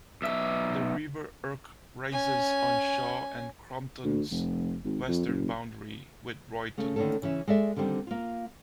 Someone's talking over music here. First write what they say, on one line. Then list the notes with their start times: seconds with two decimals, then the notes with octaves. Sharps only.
The River Irk rises on Shaw and Crompton's western boundary with Royton.
0.22 B1 E5
2.12 C#4 G#5
4.04 D2
4.31 F1
4.84 G#1
5.08 F2
5.26 F#1
6.78 C#3 A3
6.96 D3 D#3 A3 A#3 C#4 A4
7.22 C#3 E3 C#4 E5
7.47 G#3 A4 D5 E5
7.77 D3 D#3 G3 C4
8.07 A#3 F4